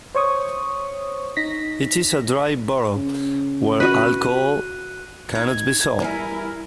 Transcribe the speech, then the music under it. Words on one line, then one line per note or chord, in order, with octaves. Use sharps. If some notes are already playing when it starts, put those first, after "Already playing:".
It is a dry borough, where alcohol cannot be sold.
C5 C#5 C#6 D#6
D#4 A#6 B6
C#3
F#4 B4 F#6 D#7
D#4 G#6
E2 G3 E4 A#4 G#5